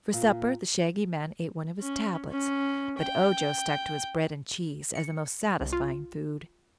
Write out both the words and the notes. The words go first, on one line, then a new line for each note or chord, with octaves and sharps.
For supper the Shaggy Man ate one of his tablets, but Ojo stuck to his bread and cheese as the most satisfying food.
A#2
C#4
C#4
G5
C#7
C2
F4